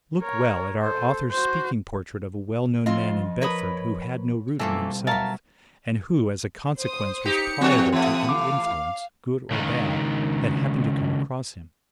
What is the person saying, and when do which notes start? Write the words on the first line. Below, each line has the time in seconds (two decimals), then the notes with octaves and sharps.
Look well at our author's speaking portrait of a well-known man in Bedford who had no root in himself, and who, as a consequence, was pliable to any influence, good or bad, that happened to come across him.
0.22 A#4 C#5
0.81 A4 C5
1.32 F#4 C5
2.86 F3 C4 F4 D#5 C6
3.42 A#4 B4 C#5 B5 D#6
4.59 B2 E3 G3 A3 A#3 F4 A4
5.07 F#3 A#4 E5 F5 A5
6.78 C5 D#6
7.25 D#4 G4 C#7
7.61 E2 F3 C4
7.92 E3 A3 E5 F#5 D#6
8.29 F5 D6
9.51 C#2 D#3